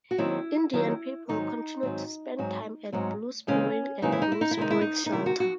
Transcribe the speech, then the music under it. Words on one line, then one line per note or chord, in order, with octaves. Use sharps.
Indian people continue to spend time at Blue Spring and Blue Spring Shelter.
F#4
D#2 D#3 F#3 C4 E4
D#2 D#3 F#3 C4 E4
G#2 D#3 F#3 C4 D#4
G#2 D#3 F#3 C4
G#2 F#3 C4
G#2 F#3 C4
D#2 C#3 E3 G#3 C4 C#4
D#2 C#3 E3 G#3 C4 D#4
E4
D#4
E4
D#4
E4
C3 D#3 G#3 D#4
E4
D#4
D#4
C3 D#3 G#3 E4
F#4
F#4